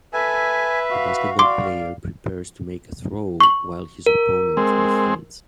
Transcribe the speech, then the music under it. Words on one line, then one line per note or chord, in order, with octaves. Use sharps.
A basketball player prepares to make a throw while his opponent defends.
A4 B4 E5 G#5
F#4 F5
D5 F5 C6 D6
C#6 F#7
A#4
G#3 C4